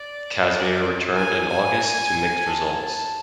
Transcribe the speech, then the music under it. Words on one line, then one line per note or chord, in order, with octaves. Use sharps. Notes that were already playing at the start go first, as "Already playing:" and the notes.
Kazmir returned in August to mixed results.
Already playing: D5
D5
G#5
G#5
A5
A5